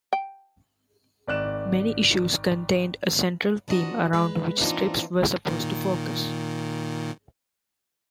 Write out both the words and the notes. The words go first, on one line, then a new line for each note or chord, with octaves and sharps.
Many issues contained a central theme around which strips were supposed to focus.
G5
G#1 D5 F#6 E7
F3 D4 D#4 F#4 D#5
G#3 B4
E3 A#3 C4 D4 D#4 F4
A#2 D#3